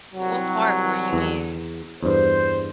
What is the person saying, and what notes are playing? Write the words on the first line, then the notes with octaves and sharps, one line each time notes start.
What part were you in?
C2 F#3
E2
E2 G2 C5